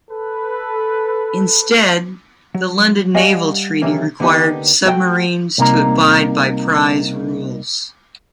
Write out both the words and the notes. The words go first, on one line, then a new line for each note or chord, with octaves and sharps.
Instead, the London Naval Treaty required submarines to abide by prize rules.
A4 B4
F#3
G3 D#5 F5 F#5 G#5
C3 D#3 E3 F#3 A#3
D3 A#3 B3 D#4 G4
A3 F#4 B4 D#5 F#5 G5
C2 C3 A#3 D#4 A#5